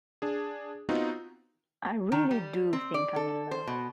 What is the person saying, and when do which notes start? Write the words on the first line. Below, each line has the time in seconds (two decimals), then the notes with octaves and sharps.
I really do think I'm in love.
0.22 D4 G#4
0.89 B3 C4 D#4 F4 F#4
2.12 D#3
2.31 G3
2.73 C4
2.94 D5
3.16 A4
3.51 C5
3.67 B2